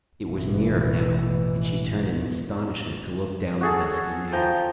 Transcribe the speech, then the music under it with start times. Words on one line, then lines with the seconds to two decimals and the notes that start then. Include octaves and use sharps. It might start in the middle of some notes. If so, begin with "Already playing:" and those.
It was nearer now; and she turned in astonishment to look down the dusky nave.
0.23 A1 B2 E3
3.61 F#4 G#4 A4
4.33 F3 G5 A#5